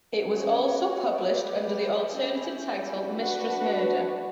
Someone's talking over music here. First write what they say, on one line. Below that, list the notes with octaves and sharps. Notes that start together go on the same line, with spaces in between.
It was also published under the alternative title Mistress Murder.
C#4 F#4 C#5
G4 B4 D5
C#4 E4 G4
D4 F#4 B4